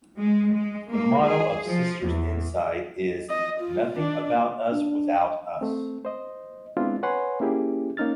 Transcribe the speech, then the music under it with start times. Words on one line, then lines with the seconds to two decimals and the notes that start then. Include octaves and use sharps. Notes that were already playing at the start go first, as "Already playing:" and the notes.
The motto of Sisters Inside is "nothing about us without us".
0.19 G#3
0.53 G#3
0.91 A#3
1.26 G#4
1.66 F3
2.06 E2
3.30 D#5
3.60 F4
3.99 D4
4.72 D4
5.61 A3 C4
6.05 C5 D#5
6.77 G#3 B3 C4 D4 E4 F4
7.03 B4 C#5 F#5 G#5 C6
7.40 A#3 C#4 E4 G4 G#4
7.97 A#3 C#4 D#4 F6 A6